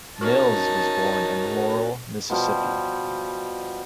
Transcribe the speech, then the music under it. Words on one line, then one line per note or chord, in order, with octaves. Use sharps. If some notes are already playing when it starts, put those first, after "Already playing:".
Mills was born in Laurel, Mississippi.
C#4 D#4 F#4 A#4 A5
B2 F3 G3